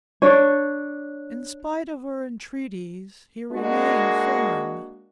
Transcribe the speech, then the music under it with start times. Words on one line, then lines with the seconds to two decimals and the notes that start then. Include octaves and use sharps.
In spite of her entreaties he remained firm.
0.22 D4 C#5
3.51 G#3 A#3 D4 F#4